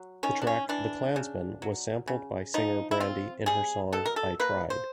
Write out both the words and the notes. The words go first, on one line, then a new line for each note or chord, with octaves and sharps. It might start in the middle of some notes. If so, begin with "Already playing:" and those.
The track "The Clansman" was sampled by singer Brandy in her song "I Tried".
Already playing: F#3
D#3 C#4
D4
C#4
E3 D4
C#3
F#3
C#3
F3 D#4
E4
C4 F4
G3 G#4
B2 A4
A#4
A4
A#3 B4
C5